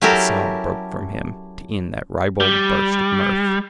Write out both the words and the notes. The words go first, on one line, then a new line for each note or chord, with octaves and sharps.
A sob broke from him to end that ribald burst of mirth.
F#3 C#4 E4 G4 A4 A#4
G3